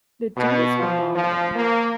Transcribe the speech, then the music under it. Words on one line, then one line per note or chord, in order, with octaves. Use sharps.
The dude is phenomenal.
B2
F3
F3
A#3